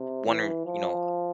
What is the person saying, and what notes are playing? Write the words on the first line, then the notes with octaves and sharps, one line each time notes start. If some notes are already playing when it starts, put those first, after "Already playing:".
one or you know,
Already playing: C3
E3
F3